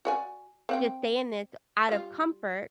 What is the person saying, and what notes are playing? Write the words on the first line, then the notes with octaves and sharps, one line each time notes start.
just stay in this out of comfort,
F#4 D5 G#5
C4 F#5 G5
G3 F4